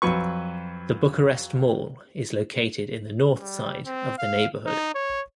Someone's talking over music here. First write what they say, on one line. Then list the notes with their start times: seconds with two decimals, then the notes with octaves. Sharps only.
The Bucharest Mall is located in the north side of the neighbourhood.
0.02 F2 F#3 B4 C#6
3.39 G3
3.86 C4
4.18 F5
4.66 D#4
4.95 C#5